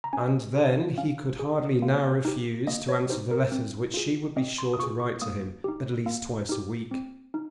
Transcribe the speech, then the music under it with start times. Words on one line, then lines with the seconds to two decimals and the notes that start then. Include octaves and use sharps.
And then he could hardly now refuse to answer the letters which she would be sure to write to him, at least twice a week.
0.04 A#5
0.13 C#4 G#5
0.55 G#4
0.98 C#4 F5
1.39 G#4
1.82 A#3
2.25 D#4 G4
2.67 A#3 D#5
2.89 C#5
3.09 D#4 G4 C5
3.31 A#4
3.52 C4
3.94 F4 G#4
4.36 C4 D#5
4.58 C6
4.74 D#6
4.79 F4 G#4 C#6
5.00 C#6
5.22 A#3 D#6
5.64 D#4 G4
6.06 A#3
6.49 D#4 G4
6.91 C4
7.34 D#4